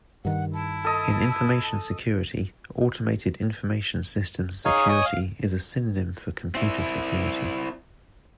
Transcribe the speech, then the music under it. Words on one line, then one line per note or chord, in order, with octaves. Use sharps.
In information security, automated information systems security is a synonym for computer security.
G2 D#3 F#5
E4 A5
A4 D#5
D#4 G#4 C#5 D#5 F5 G#5
C#5 D#5 G#5 D#6
F5
C4 E4